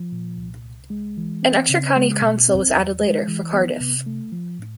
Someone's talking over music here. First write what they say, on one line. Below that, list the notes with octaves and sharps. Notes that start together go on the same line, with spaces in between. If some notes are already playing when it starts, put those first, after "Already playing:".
An extra county council was added later, for Cardiff.
Already playing: F3
A#2
C2
C2
G#3
E3
C4
C#3
G#3
B2
C4
E2
G#3
E3
B3
C3
A3
F3
A2